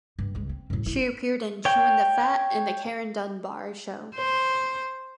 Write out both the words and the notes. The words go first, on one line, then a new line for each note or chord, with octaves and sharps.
She appeared in "Chewin' the Fat" and "The Karen Dunbar Show".
G2
C#2 G#3
C4
F#2 A2
G1 E4
C#5 G5
C5